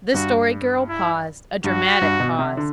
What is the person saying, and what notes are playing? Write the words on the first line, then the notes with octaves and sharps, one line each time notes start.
The Story Girl paused--a dramatic pause.
G2 F#4
E4
G2 F#4
G2
B2
C3
D3